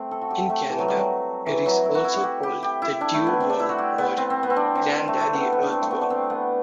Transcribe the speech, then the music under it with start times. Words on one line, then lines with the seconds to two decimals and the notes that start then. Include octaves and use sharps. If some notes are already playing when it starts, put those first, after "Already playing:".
In Canada, it is also called the dew worm, or "Grandaddy Earthworm".
Already playing: A3 C4
0.11 A4
0.21 F#4
0.31 G4
0.50 A3
0.69 E3
0.79 F#3
0.88 G3
0.98 F#3
1.46 E3
1.66 F#3
1.85 E4
1.95 F#4
2.04 E4
2.14 F#4
2.24 G4
2.43 G4
2.63 G4
2.82 E4
3.01 D4
3.14 A3
3.27 B3
3.40 C4
3.50 D4
3.59 E4
3.69 F#4
3.78 G4
3.98 B3
4.17 C4
4.30 C4
4.43 B3
4.50 C4
4.56 D4
4.75 C4
5.08 A3
5.21 A3
5.33 B3
5.52 B3
5.63 D4
5.72 C4
5.82 A3
5.91 B3
6.01 D4
6.10 C4
6.30 B3